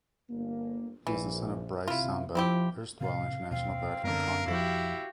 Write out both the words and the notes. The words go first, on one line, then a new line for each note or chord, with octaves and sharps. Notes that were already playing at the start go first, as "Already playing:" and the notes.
He is the son of Brice Samba, erstwhile international guard from Congo.
G1 A#3
A#1 E3
C3 E4 F4
F3 C4 E4 G4
A2 C3 C4 F5
D#2 B2 C4 F5
F#2 D3 B3 C4 A#4
F2 F3 E4 F#4 G4